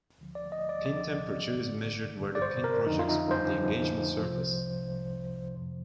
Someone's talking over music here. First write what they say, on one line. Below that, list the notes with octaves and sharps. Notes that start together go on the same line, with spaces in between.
Pin temperature is measured where the pin projects from the engagement surface.
D2 D3 F3
D5
D#5
D5
D2 D3 F3 D5
A1 G2 D3
A1 G2 D3
D5
C5
A#4
F2 D3 F3 D#4
F4
D#4
C5
F2 D3 F3
C2 C3 F3
C2 C3 F3
F2 C3 F3